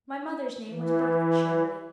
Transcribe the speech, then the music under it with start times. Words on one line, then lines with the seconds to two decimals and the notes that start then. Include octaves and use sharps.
My mother's name was Bertha Shirley.
0.71 E3